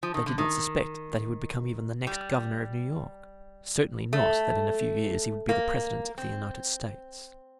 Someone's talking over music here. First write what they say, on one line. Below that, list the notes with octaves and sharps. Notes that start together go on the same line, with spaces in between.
They did not suspect that he would become even the next Governor of New York, certainly not that in a few years he would be the President of the United States.
F3
D#3
D3
D#3
G3
A3
A#3
C4